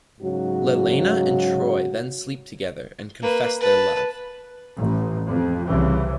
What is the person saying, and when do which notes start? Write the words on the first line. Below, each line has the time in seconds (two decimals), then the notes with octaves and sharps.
Lelaina and Troy then sleep together and confess their love.
0.21 G#2 C#3 F#3 F#4
3.22 A#3 B4
3.61 B4 A5
4.79 A1
5.26 F2
5.66 C2 C#3 E3